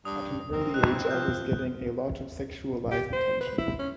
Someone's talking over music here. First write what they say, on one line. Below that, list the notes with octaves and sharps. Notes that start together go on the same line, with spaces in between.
At an early age I was getting a lot of sexualized attention.
G2 D4 D#6
C4 A#4
D#4 F#6
F3 F6 G6
G4
C5
B4
E4
C#4